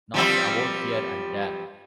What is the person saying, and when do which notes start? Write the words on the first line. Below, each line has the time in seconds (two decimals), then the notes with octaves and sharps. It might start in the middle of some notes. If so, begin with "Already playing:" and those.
Knocked about here and there.
0.14 F3 G3 C4